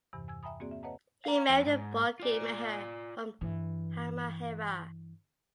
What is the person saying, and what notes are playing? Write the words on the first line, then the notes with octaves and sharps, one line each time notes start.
He married Boki Mihir from Halmahera.
E2 G2 C3 E3
G#5 E6 G#6
E5 G5 G#5 A#5 B5 D#6
A#3 C4 F#4 G#4 D5
E5
B4 C#5 D#5 F#5 A5 A#5
F5 A#5
F2
G#2
F4 D5
G2 E3